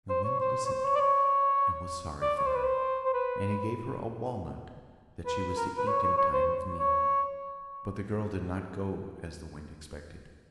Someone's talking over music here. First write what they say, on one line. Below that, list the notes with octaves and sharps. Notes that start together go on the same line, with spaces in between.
And the Wind listened, and was sorry for her, and he gave her a walnut that she was to eat in time of need. But the girl did not go as the Wind expected.
C5
C#5
C5
C#5
C5
C#5
D5
C#5
D5
C#5
C5
B4
C5
C5
B4
B4
A#4
B4
C#5
C#5
C#5
C5
C#5